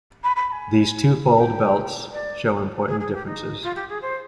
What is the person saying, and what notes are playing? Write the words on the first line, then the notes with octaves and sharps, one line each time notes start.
These twofold belts show important differences.
B5
B5
B5
G#5
G5
D5
G#4
G#4
G4
D#4
F4
G4
G#4
C5